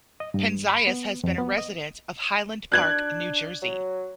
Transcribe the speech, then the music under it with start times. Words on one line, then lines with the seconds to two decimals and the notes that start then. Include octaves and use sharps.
Penzias has been a resident of Highland Park, New Jersey.
0.20 D#5
0.34 G2
0.70 B5
0.87 B3
1.24 F2
1.38 B3
1.58 D#5
2.72 D4 F#6 G#6 F#7
3.62 F#3